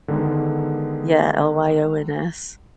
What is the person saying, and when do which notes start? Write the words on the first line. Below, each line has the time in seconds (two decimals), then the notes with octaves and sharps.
yeah, L-Y-O-N-S.
0.08 D3 D#3 G#3 B3 D#4